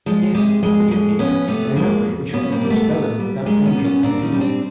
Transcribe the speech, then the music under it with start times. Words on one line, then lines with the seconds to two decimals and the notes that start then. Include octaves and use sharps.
"Yes," said Yaquita, "and in that way we shall reach Belem without danger or fatigue."
0.06 F3 G#3
0.34 C3 G#3
0.63 F2 G#3
0.91 F2 G#3
1.19 F3 B3 C#4
1.48 C3 A3 B3
1.76 F2 G#3 A#3
2.05 F2
2.33 A#2 B3 C#4
2.43 C#4
2.52 A#3 C4
2.61 G3
2.70 A3 B3
2.89 A#2 A3 B3
3.18 G3
3.46 A#2 G#3
3.65 B3 C#4
3.75 G3
3.84 B3 C#4
4.03 A#2 C4 D4
4.22 C#4 D#4
4.32 G3
4.41 C4 D4